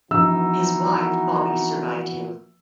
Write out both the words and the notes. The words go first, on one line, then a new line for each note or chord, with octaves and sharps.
His wife, Bobbe, survived him.
E3 F3 B3 D#4 F#4 E6